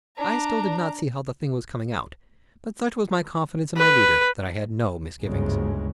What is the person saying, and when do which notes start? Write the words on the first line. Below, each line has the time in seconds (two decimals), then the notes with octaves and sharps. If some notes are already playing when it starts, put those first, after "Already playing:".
I still did not see how the thing was coming out, but such was my confidence in my leader that I had no misgivings.
0.18 D4 A#5
3.77 B4
5.23 G1 D2 G#2 C#3 G#3